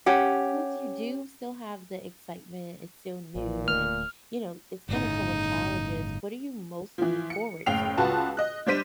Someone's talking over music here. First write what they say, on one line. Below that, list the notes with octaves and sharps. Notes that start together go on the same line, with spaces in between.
since you do still have the excitement, it's still new, and you know, it's gonna come with challenges, what are you most looking forward to?
C#4 G4 F#5
A1 A#2 F3
D1 D3 A3 F6
G1 A2 C#3 D#4
E3 F3
C#7
F#1 A2 G5 C7 F7
C#2 F4 F#4 B4 A5
D#5 F#6
G3 D4 C5 B6 D#7